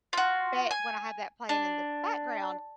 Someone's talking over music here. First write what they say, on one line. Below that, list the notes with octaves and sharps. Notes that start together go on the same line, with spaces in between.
but when I have that playing in the background,
F4 F#4
G#5
D4